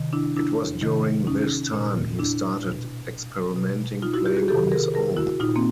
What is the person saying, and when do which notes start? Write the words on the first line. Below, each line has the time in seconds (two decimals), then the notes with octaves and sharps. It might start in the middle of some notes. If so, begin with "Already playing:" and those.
It was during this time he started experimenting playing on his own.
Already playing: C3 D#3
0.13 D4 E4
0.36 D4 E4
0.81 C3 D#3
1.27 C#4 D#4
1.74 A#2
2.19 D4 E4
2.65 B2
3.56 B2
4.02 D#4 F4
4.14 E4 F#4
4.25 F4 G4
4.37 F#4 G#4
4.48 C3 D#3 G4 A4
4.72 G#4 A#4
4.94 G#4 A#4
5.17 E4 F#4
5.40 A#2 D#4 F4
5.56 A#3 C4